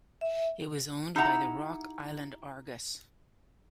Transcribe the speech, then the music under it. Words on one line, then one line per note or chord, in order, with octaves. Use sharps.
It was owned by the Rock Island Argus.
E5
D#4 E4 G4 E5 F#5 A#5